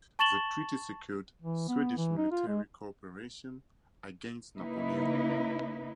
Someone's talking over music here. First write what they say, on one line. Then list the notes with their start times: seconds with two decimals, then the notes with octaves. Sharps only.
The treaty secured Swedish military cooperation against Napoleon.
0.19 A5 C#6 A6 E7 F#7 G7
1.42 E3
1.68 B3
1.97 E3
2.17 D#4
2.31 F4
2.47 G#3
4.58 C#3 A#3 D#4 E4 B4